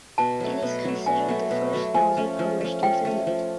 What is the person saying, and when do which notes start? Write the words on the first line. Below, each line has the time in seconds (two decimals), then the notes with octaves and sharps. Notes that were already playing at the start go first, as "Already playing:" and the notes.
It is considered the first novel published in Finland.
0.18 B2 A5
0.40 F#3 A3
0.62 B2
0.85 F#3 A3
1.06 B2 G#5
1.28 F#3 A3
1.51 B2
1.73 F#3 A3
1.94 F3 G#5
2.17 A3 C#4
2.39 F3
2.61 A3 C#4
2.83 F3 G5
3.05 A3 C#4
3.27 F3